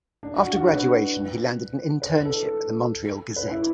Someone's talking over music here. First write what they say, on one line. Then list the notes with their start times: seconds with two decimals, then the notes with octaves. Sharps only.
After graduation, he landed an internship at the Montreal "Gazette".
0.23 D4
0.38 F#4
0.53 F#4
0.67 B4
2.02 B4
2.25 A4
3.36 B4
3.51 E4